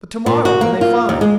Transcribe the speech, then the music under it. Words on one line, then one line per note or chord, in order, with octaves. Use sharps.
"But tomorrow when they find...."
A#2
F#4
A#3
F4
D#2
G#3